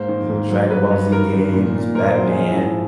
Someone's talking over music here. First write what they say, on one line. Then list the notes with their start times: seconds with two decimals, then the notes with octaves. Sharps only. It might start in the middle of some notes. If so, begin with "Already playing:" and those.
you know, Dragon Ball Z games, Batman.
Already playing: G#2 A#3 C5
0.08 D#3
0.29 G#2
0.50 F#3
0.70 G2 B4
0.91 G2
1.12 D#3 A#4
1.33 D#3
1.53 A#2
1.74 A#2
1.95 A#2 A#4
2.05 C5
2.16 F#3 A#4
2.26 G#4
2.36 F3 G#4
2.50 E4
2.57 G#2